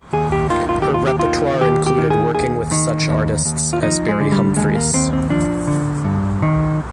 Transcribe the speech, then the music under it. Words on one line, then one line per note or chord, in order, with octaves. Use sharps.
Her repertoire included working with such artists as Barry Humphries.
D#2 G#4
G4
D#3 F4
F4
G4
D#2
F4
G4
F4
D#3
D#2 G4
G4
D#3
G#4
D#2 G#4
D#3
D#2
D#2
F4
F3 D#4
G#3
D3
G3
D#2 G#3
A#3
D#2 C4
C4
F3 D4
D3
G2
D#3